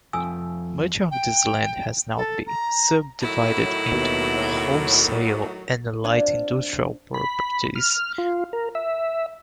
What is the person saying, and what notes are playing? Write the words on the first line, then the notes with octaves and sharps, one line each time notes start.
Much of this land has now been subdivided into wholesale and light industrial properties.
F2 F3 A3 G#5 D#6 E6
G5
A4
A#5
A2 D#3 F#3 E4
D#2 B2
C3 D4 F4 G#5
B5
F6
F4
A#4
E5